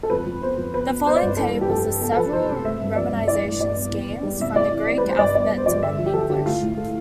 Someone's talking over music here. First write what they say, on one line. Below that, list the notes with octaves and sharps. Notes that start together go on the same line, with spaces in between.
The following tables list several romanization schemes from the Greek alphabet to modern English.
A4
F2 B4
F2
B3 C5
F2
B3 B4
B3
B3 C5
D5
G2
E3 A4
G3
G4
F2 A4
G3
B3 A4
A4
F3 B4
F3 C5
C3
A3 E5
G2
F3 D5
G2
E3 D5
A2
A2 D5
B3
E2
E2
G3
C3 E5
A2 D5
E3
E3 D5
B4
G3
C5
G2 D5
B3 D5
B3
C5
F3 D5
D3 E5
F3
G4
F3 A4
D3 G4
A2 F4
A2
A3